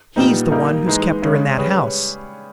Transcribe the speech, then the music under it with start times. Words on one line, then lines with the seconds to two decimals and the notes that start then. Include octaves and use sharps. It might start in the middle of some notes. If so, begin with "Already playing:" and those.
He's the one who's kept her in that house.
0.16 A#2 G3 B3 D#4
0.51 G3 A#3 D#4 A#4
0.87 E3 G#3 D#4 G#4
1.22 C#3 G#3 C#4
1.58 G3 C#4 G#4 B4